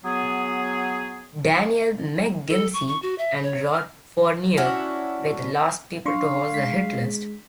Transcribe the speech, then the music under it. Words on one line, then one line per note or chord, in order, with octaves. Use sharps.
Danielle McGimsie and Rob Fournier, were the last people to host the "Hit List".
F#3 B3 G#4
A4
C#6
C#6
F#4
E5
C#5
F6
C#4 D4 E4 F#4
D4 F5 C6 C#6
G#3 B6